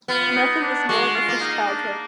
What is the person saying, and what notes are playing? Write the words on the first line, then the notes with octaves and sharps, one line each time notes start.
Nothing is known of his childhood.
B3 F4
D#4
D4
G#3 F#4
F4
A#3
D#4
D4